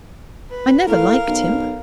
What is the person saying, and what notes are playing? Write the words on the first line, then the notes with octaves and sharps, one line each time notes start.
'I never liked him.
B4
A2 A#4 F5
B1